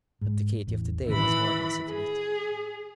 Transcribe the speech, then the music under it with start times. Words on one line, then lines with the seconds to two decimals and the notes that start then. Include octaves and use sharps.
But the Katy of to-day was more considerate.
0.21 G#2
0.67 A1 E2
1.07 A2 D#3 E3 C#4 B5
1.89 G#4